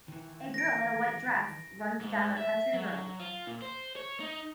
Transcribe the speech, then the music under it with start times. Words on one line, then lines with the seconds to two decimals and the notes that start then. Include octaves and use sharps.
A girl in a white dress runs down a country road.
0.08 D#3 E3
0.54 A#6 D7
2.01 G#2
2.37 E5
2.73 F#3
3.20 F4
3.47 A#2
3.62 C5
3.96 C#5
4.20 D#4